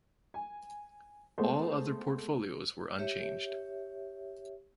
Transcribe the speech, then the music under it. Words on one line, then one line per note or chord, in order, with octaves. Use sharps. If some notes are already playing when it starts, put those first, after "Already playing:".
All other portfolios were unchanged.
G#5
G#3 A3 B3 C5
G4 C#5 E5